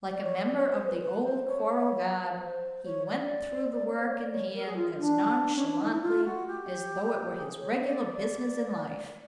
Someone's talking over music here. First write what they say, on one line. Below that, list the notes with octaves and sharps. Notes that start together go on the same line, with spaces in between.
Like a member of the Old Choral Guard, he went through the work in hand as nonchalantly as though it were his regular business in life.
D5
C#5
D5
C#5
C5
B4
B4
C5
C#5
C#5
C5
C#5
D5
D5
C#5
C5
C#5
D5
C#5
A#4
G#4
F4
D4
C#4
D4
D#4
E4
F4
F#4
G4
G#4
C#5
D5